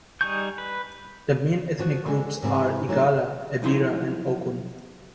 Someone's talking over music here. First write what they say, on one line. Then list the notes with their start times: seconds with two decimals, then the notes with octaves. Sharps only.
The main ethnic groups are Igala, Ebira, and Okun.
0.21 G3 D#4 G#4 C#6 G6
0.58 B4
1.79 F3 F#4
2.06 D3 G#3
2.42 G#2 C3 E3
2.88 E3 F#3 A3 B3 D#4
3.62 B1 F3 D#4 E4 C6